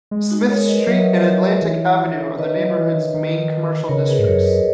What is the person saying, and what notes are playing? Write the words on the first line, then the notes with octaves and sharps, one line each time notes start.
Smith Street and Atlantic Avenue are the neighborhood's main commercial districts.
G#3
D#4 F#4
A#4 C#5
B4 D#5
F#3 C#5 E5
E3
D#3 B4 D#5
F#3
E3
D#3
D#3
C#3 A#4 C#5
G#4 B4
G#2
F#2 A#4 C#5
B4 D#5